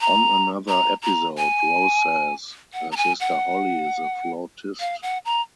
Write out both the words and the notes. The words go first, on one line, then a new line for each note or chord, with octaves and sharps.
On another episode, Rose says her sister Holly is a flautist.
A#5
A#5
A#5
G#5
F#5
A#5
G#5
F#5
F5
F#5
A#5